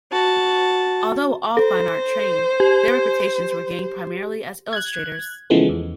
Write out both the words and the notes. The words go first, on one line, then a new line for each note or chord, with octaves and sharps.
Although all fine art trained, their reputations were gained primarily as illustrators.
F#4 A5
A4 C5
G4
F#6 G#6
C#3 E3 F3 G#3 A3 B3
E2